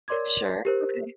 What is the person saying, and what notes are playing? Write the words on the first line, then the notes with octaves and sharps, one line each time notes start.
Sure, okay.
A#4 C#5 D5 C6 D6 G#6
G4 A#4 C5